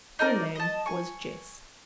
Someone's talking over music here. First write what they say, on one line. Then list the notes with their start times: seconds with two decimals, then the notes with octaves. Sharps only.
Her name was Jess.
0.19 D#4 A4 A#4 D5
0.55 D#5 A5
0.86 G#5 C#6